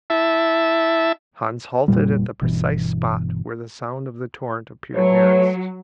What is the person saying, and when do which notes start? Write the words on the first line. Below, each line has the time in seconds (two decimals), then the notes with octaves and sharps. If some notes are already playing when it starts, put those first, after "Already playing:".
Hans halted at the precise spot where the sound of the torrent appeared nearest.
0.10 E4 E5 A5
1.88 F1 C2 A#2 G3
2.41 G1 B2 E3
4.94 F#3 A3 B4 C#5